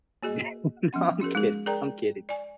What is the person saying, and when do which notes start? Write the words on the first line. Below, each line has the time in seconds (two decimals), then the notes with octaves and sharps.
yeah, no, I'm kidding, I'm kidding.
0.23 A#3 F#4 G#4 D#5
0.93 F3 B3 C#4 F#5
1.21 C#4 F#4 G#4 A#4
1.35 G#3 D#4 G#4
1.66 G#4 A#4 D5 G5 A#5
2.29 D5 G#5